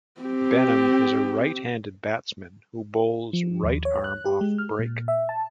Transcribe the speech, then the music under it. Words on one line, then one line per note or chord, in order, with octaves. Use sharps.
Benham is a right-handed batsman who bowls right-arm off break.
C4 G4
F3
D#2
C#5
F#6
G4
G#3
F6
A#2
E5
A5